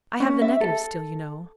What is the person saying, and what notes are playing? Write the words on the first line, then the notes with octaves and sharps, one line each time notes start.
"I have the negative still, you know."
C#4
E5
A4